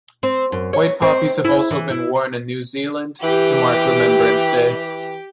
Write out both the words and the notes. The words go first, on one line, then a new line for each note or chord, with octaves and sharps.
White poppies have also been worn in New Zealand to mark Remembrance Day.
C4
F#2
C#5
C4
E4
E3
E4
E3 G4